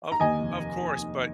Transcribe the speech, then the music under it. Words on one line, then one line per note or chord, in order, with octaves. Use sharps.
Of of course but
A#5
D#2 D#5 G#5
F1